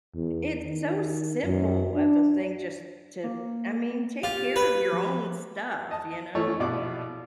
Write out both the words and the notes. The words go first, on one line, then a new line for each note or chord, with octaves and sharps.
it's so simple of a thing just to, I mean, take care of your own stuff, you know.
E2
D#3
F#2
D4
A#3
F4 G4
B4
F3
D#5 A5
E3 F3 A3 C#5
A#1 B2 E4 D5 D6